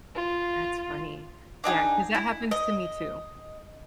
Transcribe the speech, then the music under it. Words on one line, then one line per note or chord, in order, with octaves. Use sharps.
That's funny. Yeah, 'cause that happens to me too
F4
D4 D#4 F4 G#4
E4
D#5